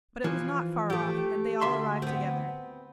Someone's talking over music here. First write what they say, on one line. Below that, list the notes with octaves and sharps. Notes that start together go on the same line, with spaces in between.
But it was not far off and they all arrived together.
E3 F3
A3 G4
D2 E5 C6
B3 C4